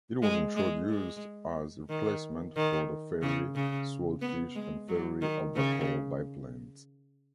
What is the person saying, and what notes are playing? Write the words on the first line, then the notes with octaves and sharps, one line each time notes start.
It was introduced as a replacement for the Fairey Swordfish and Fairey Albacore biplanes.
G#3
G#3
G#3
D#3
D#3
C#3
C#3
B3
G#3
F#3
D#3
C#3